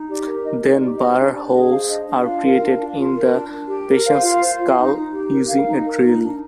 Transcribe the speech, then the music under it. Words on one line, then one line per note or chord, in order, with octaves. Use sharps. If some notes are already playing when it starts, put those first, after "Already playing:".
Then burr holes are created in the patient's skull using a drill.
Already playing: D#4
G4 D5
A#4
D#4 D#5
D#4
D#5
G4 D5
C5 D#5
D4
D4 D5
G#4 D#5
C5 F5
D4 D#5
D4
F4 F5
A#4
D4
D4
F4
A#4
D4
D4
G4
A#4
C5 F5
F4
C5
F4
D#4
D#4
G4
A#4
A#4 F5
D#4
A#4
D#4
D4